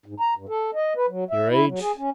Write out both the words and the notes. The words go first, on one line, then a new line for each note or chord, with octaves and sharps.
"Your age?"
G#2
A#5
G2
A4
D#5
B4
F#3
E5
E4
F#3
G#4
C#4